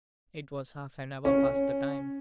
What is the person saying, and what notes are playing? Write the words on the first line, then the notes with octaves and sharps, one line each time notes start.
It was half an hour past the time.
C#4